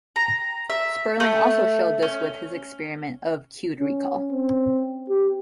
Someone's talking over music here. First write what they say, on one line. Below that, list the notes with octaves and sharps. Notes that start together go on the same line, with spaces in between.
Sperling also showed this with his experiment of cued recall.
A#5
E5
A3
C#4
C#4
C4
G4